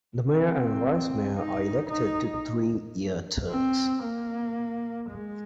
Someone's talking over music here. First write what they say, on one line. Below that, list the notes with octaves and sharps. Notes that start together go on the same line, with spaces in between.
The mayor and vice mayor are elected to three-year terms.
C4
D#4
D#4
C4
A#3
G#3